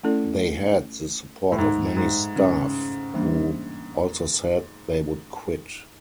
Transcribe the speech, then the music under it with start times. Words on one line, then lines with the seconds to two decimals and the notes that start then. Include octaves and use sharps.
They had the support of many staff who also said they would quit.
0.03 A3 C#4 E4 A4 D5
1.52 A2
1.58 G#2
1.97 G#2
2.36 C#3
3.14 E3 G3 A#3 D4